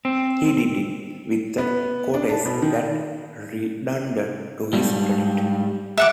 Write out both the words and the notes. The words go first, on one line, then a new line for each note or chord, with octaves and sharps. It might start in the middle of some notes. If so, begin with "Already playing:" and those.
He did it with a courtesy that redounded to his credit.
C4
B3
D4
A5
B2
D#3
G#2 G3
E5 F#5 D6